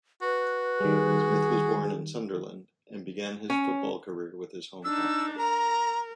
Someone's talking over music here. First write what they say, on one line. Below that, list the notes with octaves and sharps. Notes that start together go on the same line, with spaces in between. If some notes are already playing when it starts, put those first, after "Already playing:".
Smith was born in Sunderland, and began his football career with his home-town club.
F#4 B4
D#3 G3 G#4
C#4
D4 D#4 E6
A#4 A#5